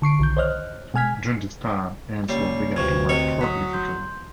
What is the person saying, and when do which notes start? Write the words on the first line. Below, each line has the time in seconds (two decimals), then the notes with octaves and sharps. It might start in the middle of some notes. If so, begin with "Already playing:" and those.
During this time, Ainsworth began to write prolifically.
0.02 D3 C#6 C7 D7
0.19 B1 D#3 G6
0.37 C5 C#5 D#5 F6 F#6
0.94 B2 G#3 G#5 F6 G#6 B6
2.29 C#2 G3 A#3 C#5 C7
2.76 D2 C3 F3 B4 C#6 G#6
3.09 C3 C5 C#5 D#5 B5 C#6
3.41 E2 F#3 D#6 B6
3.73 C6 G6